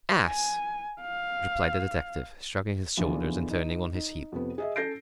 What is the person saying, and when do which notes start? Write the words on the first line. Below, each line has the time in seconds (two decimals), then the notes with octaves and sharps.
"Ass!" replied the detective, shrugging his shoulders and turning on his heel.
0.24 G#5
1.01 F5
2.97 E2 B2 D3 E3 F3
3.50 D#4
3.94 D#4
4.32 F2 C3 B3
4.58 G#4 D#5 E5
4.76 C#4 A4 G6 A#6 C7 D7